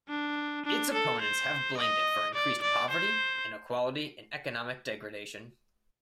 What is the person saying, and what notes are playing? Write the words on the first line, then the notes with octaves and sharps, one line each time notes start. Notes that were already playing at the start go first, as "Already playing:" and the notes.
Its opponents have blamed it for increased poverty, inequality and economic degradation.
D4
D4
A4
C5
D#5
D5
D5
C5